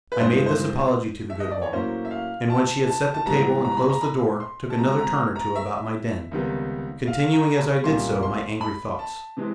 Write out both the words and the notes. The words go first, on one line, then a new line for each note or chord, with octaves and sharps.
I made this apology to the good woman, and when she had set the table and closed the door took another turn or two about my den, continuing as I did so my angry thoughts.
B4
G2 E3 G#3 C5
C5
E5
D#5
D5
C#5
A2 F#3 A#3 C#4 C5
E5
F5
A5
A5
A5
G#2 E3 G3 B3 A#5
A#5
B5
A#5
B5
C6
A5
B2 G#3 C4 A#5
A#5
A#5
E5
C#2 C3 D#3 G3 B3
F5
A#5
B5
C2 A#2 G3 A#3 C#4 C6
C6
B5
A5
C3 E3 G#3 C4